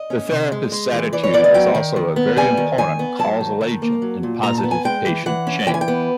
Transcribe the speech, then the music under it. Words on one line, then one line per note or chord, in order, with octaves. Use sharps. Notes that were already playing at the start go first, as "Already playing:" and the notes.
The therapist's attitude is also a very important causal agent in positive patient change.
Already playing: D#5
C#4
C3
G#3
G#3
E3
E3 D5
C#5
B3 D5
D#5
F#3 G5
D#3
D#3
B3
G3 G#5
D#3
D#3 G#5
B3
F#3 A5
D#3
D#3
A#3
F#3
A#2
A#2 A#5
A5
B3
G#5
G#3 G5
E3
E3 F#5
C#4
E3 G5
G#5
G5
B3